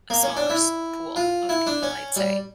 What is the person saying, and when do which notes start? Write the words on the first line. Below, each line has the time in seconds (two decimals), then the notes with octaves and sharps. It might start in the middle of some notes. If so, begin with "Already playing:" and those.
a smaller s pool of people, I'd say.
0.10 A#3
0.23 C#4
0.37 D4
0.50 E4
1.16 F4
1.49 E4
1.67 D4
1.83 C#4
2.16 G3